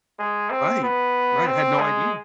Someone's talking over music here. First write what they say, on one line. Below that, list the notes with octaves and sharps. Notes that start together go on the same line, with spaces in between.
Right, right, I had no idea.
G#3
C4
B3
C4
G#3